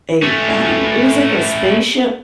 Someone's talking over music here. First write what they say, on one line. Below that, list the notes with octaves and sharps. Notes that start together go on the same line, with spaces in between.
a um, it was like a spaceship
A3 C#4